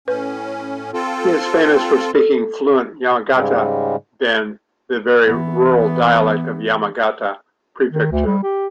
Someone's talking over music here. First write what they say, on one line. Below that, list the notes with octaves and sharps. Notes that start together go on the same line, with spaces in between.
He is famous for speaking fluent Yamagata-ben, the very rural dialect of Yamagata Prefecture.
A2 C#4 B4
C4 F4 A4
A4
G#2 C#3 G3 G#3
E3 B3
D#3
D2
G3
G4